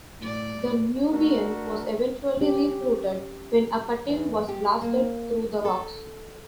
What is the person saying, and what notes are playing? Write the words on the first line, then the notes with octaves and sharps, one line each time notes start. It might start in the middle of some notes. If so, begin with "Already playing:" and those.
The "Nubian" was eventually refloated when a cutting was blasted through the rocks.
A2 D5
A3 D4 F#4 A4 A#4
C#4 G4
E2
G4
A#3
A4